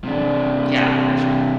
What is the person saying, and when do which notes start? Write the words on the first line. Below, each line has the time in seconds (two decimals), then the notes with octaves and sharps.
Yeah, for sure.
0.04 C3 D4